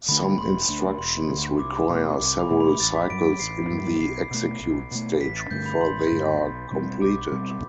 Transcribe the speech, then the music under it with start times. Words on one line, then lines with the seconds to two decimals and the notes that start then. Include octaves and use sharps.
Some instructions require several cycles in the execute stage before they are completed.
0.09 D3 A3 D4 B5
0.23 B5
0.38 E1 C6
0.69 D2 D3
0.98 E1 C6
1.29 D2 D3
1.59 C2 D6
1.89 B2 A3
2.19 C2 D6
2.40 B5
2.50 B2 A3
2.60 B5
2.80 A1 A6
2.95 B6
3.10 G2 F#3 D7
3.25 D7
3.40 A1 C7
3.70 G2 F#3
4.00 B1 C7
4.31 B2 A3
4.61 B1
4.91 B2 A3
5.21 A1 B6
5.36 A6
5.51 G2 D3 A3 G6
5.66 B5
5.81 A1 C6
6.11 G2 D3 A3
6.41 B1
6.72 B2 G3 C4
7.02 B1 D6
7.32 B2 G3 C4